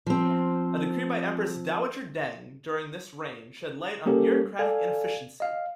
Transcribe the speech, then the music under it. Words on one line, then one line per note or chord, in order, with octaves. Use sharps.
A decree by Empress Dowager Deng during this reign shed light on bureaucratic inefficiency.
F3 C4
G3 A#3 C#4 G4 A4 A#4
A4 D5 F5 G#5 G#6
D#5 F5